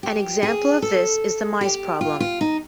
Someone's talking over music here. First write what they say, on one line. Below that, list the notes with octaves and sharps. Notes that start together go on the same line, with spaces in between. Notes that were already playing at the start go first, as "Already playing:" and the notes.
An example of this is the mice problem.
G4
G#4
A4
G4
F4
F4
D#4